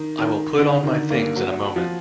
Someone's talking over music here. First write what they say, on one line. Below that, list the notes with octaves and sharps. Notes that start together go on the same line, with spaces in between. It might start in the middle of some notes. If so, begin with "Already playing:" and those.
I will put on my things in a moment.
Already playing: D#3
D#3
D3
D#3
A#3
F#3
F3